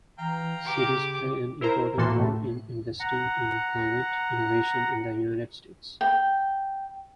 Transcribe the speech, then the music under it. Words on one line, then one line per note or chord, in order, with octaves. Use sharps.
Cities play an important role in investing in climate innovation in the United States.
E3 F5 G5 A#5
C#3 G4 D6
E4 A#4 C5 A#5
A2 E3 A#3 F#4 A4 C6
A2 A3
F#5 A#5
G5